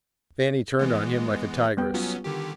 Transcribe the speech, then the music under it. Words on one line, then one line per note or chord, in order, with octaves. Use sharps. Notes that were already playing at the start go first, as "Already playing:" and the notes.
Fannie turned on him like a tigress.
E3 G#3 B3
G3 B3 G5
F#3 B3 C#4 F4 F#4
D3 D#3 G4